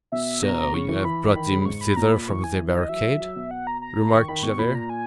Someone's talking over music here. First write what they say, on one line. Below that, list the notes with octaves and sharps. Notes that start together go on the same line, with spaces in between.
"So you have brought him thither from the barricade?" remarked Javert.
B2 E5
B2 A#5
B2
C#3 C#6
E3
E3 B5
D#3
C#3
B5
G#2 C#6
B5
A#2 A#5
B5
E3 C#6
G#5
E3
D#5
F#3 E5
F#3
B2
F#5
A#5
A#5
D#3 C#6
D#3 B5
B2 C#6
A#2 B5
A#5
G#5